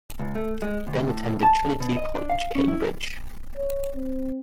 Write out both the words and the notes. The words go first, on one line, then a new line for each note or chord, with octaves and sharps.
He then attended Trinity College, Cambridge.
C#2
A3
G#3
D2
A2
A5
B2
D#5
D4
F5
C#4
E4
C#5
C4